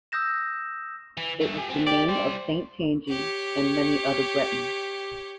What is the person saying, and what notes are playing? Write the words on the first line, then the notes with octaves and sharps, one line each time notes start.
It was the name of Saint Tangi and many other Bretons.
D#6 E6 G6 A#6 E7
E3
G2 A3
G4 G#4
A3 C4
G4 D5
G3 C5
G4 C#5